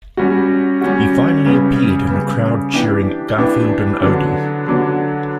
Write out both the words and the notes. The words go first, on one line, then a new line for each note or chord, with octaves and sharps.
He finally appeared in a crowd cheering Garfield and Odie.
G3 C#4 F#4
G3 C#4 F#4
C#3 G3 B3
C#3 G3 B3
E3 B3 D4 G4
E3 B3 D4 G4
D3 F#3 B3 D4
D3 F#3 B3 D4